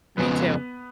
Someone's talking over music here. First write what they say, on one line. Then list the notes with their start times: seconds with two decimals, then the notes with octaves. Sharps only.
me too,
0.17 F2 C#3 F3 G#3 B3 B4